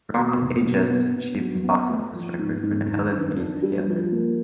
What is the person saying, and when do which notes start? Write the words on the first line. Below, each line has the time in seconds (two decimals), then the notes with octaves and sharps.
"Rock of Ages" achieved the box-office record for the Helen Hayes Theatre.
0.16 B2
0.41 F1
0.66 B2
0.90 B3
1.15 B3
1.39 F#3
1.64 B3
1.89 A3
2.14 F3
2.39 G#2
2.63 G#2
2.87 D#3
3.13 D#3
3.37 D4
3.62 G3
3.87 F3
4.12 A#3